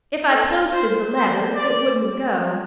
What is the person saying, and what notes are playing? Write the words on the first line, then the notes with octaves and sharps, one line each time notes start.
If I posted the letter, it wouldn't go.
A4
C5
C5
D5